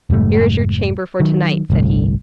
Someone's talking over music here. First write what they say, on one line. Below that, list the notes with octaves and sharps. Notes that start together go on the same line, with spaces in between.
"Here is your chamber for to-night," said he.
F1 G#2 G3 A3
D#3 F#3
G1 C2 A2